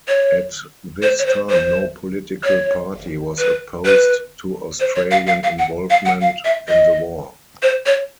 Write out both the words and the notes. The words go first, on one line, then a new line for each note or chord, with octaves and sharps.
At this time no political party was opposed to Australian involvement in the war.
C#5
C5
C#5
C5
C5
C#5
B4
B4
C5
C#5
F5
F5
F5
F#5
F5
F#5
F5
E5
D#5
C5
C#5